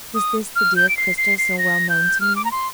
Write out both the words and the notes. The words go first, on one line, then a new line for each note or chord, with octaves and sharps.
Was this the dear Cristel so well known to me?
D#6
F6
G6
D7
C7
C7
C7
A#6
G6
F6
D6
A#5
C6